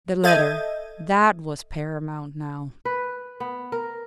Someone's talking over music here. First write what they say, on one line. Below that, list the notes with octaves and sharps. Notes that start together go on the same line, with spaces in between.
The letter--that was paramount now.
A4 D#5 E5 G6 G#6 D#7
B4
B3
A#4